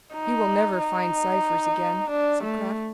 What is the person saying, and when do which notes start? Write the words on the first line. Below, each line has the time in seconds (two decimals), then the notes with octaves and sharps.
"He will never find Cypher's again," said Kraft.
0.14 D#4
0.79 D#4
2.11 D4
2.43 A3